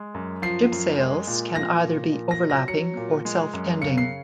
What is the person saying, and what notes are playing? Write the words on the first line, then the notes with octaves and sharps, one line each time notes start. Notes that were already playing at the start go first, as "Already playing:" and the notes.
Jib sails can either be overlapping or self-tending.
Already playing: G#3
F#2
F3 C7
F#2
G#3
A#2
F3 A#6
A#2
A#2
A#6
F#3
A#6
F#3 C#7
A#2
G#3
F#2
C#3 C#7
C7